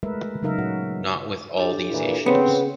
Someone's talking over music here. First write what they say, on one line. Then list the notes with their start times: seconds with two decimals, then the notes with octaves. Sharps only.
Not with all these issues.
0.03 G#3 A3 A#4 B4 E5
0.42 C#3 F#3 D#4 A#4 E5 F5
0.58 A#2 D#4 F#4 F#5
1.57 D4 G4 A4
1.90 A#2 E3
2.26 C#3 B3 C4 C#5